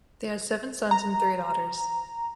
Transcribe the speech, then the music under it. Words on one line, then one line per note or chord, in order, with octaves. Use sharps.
They had seven sons and three daughters.
A#5